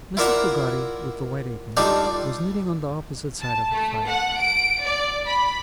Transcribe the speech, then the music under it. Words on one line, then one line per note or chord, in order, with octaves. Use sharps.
Mrs. Peggotty with the white apron, was knitting on the opposite side of the fire.
E4 F4 A#4 D5 E5 F#5
G3 D4 D#4 F4 A4 D5
A5
A3
F#5
D7
D5
B5